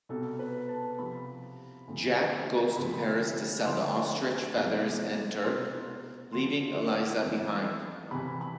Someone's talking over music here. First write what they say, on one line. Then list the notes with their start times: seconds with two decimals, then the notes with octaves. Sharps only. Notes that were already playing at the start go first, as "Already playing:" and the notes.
Jack goes to Paris to sell the ostrich feathers and Turk, leaving Eliza behind.
0.09 C2 B2 A4
0.39 B4
0.69 A5
0.98 C2 C3 F3 B5
1.88 D2 C3 F3
2.77 D2 C3 F3 B5
3.65 D2 D3 F3 C6
4.54 E2 C3 F3
5.43 C2 B2 C6
6.32 F2 D3 F3 C6
7.22 F2 E3
8.11 C2 C3 E3 B5
8.41 B5